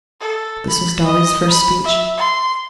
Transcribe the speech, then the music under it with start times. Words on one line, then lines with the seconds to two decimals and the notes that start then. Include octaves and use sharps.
This was Dolly's first speech.
0.20 A4
0.68 B5
1.05 D#5
1.49 B5
1.84 E5
2.17 C6